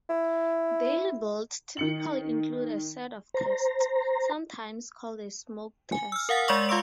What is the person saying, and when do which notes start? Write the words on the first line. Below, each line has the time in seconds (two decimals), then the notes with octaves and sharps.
Daily builds typically include a set of tests, sometimes called a smoke test.
0.10 E4
1.77 D#3 C#7 F#7
3.34 C5 A#5
5.92 G#5
6.12 E6 F6
6.29 A#4 F5 F#5 A6 A#6
6.48 G#3 D5 C6 C#6 F#7
6.69 F4 F5 C6 C#6 E6 D7